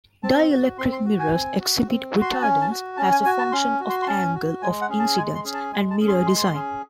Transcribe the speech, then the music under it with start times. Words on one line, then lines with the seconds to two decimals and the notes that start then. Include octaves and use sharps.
Dielectric mirrors exhibit retardance as a function of angle of incidence and mirror design.
0.23 C4 A5
0.50 F#4
0.78 C4 C6
0.92 C6
1.05 F#4
1.19 G#5
1.32 C4
1.60 F#4
1.88 C4
2.16 F#4
2.22 C6
2.32 A5
2.42 C#4 G#5
2.61 A5
2.70 F#4
2.97 C#4 A5
3.12 G#5
3.25 F#4 G#5
3.38 A5
3.52 C#4 C6
3.80 F#4
3.90 C6
4.02 C6
4.07 C#4 A5
4.35 F#4
4.62 G#3 G#5
4.81 F#5
4.89 C#4 G#4
4.99 A5
5.17 G#3 G#5
5.35 C6
5.44 C#4 G#4
5.54 A5
5.72 G#3 G#5
5.91 A5
6.00 C#4 G#4
6.08 C6
6.27 G#3 C6
6.54 C#4 G#4